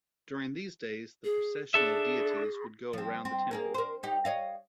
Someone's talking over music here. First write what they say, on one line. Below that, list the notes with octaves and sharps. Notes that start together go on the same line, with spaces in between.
During these days the processional deities would go around the temple.
G#4
D4 G#4 A4 E5
F3 C4
C4
A#3 G#4 A#4
A#4 C5
D#4 G4
C#5 D#5 F5